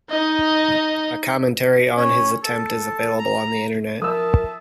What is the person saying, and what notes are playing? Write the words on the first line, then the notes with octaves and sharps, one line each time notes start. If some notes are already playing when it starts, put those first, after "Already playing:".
A commentary on his attempt is available on the Internet.
D#4 D#5
C#4
A4
A#5
F3 A#4 E5 A5 D#6 E6